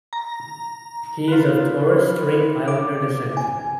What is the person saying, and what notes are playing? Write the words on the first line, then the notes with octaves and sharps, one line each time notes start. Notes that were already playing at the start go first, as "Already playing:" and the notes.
He is of Torres Strait Islander descent.
A#5
F4 B4
D6
G#5